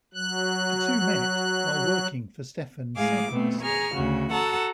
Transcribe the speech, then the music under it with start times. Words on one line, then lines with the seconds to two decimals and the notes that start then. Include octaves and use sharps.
The two met while working for Stefan Sagmeister.
0.14 F#3 F#6
2.96 A2 G#3 G#4 F5 D6
3.31 B2 A3 B3 C4
3.61 G#4 A#5 C#6 F6
3.95 D2 C#3 F#4
4.31 F#4 A4 F#5 A5 A#5